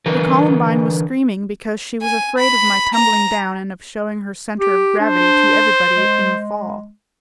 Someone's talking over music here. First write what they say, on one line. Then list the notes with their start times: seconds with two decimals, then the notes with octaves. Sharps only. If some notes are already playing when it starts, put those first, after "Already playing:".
The Columbine was screaming because she was afraid of my tumbling down and of shewing her centre of gravity to everybody in the fall.
0.06 D3 E3 A#4 B4
2.02 G#5
2.38 B5
2.94 A#5
4.60 G4
5.00 D4 C5
5.97 G#3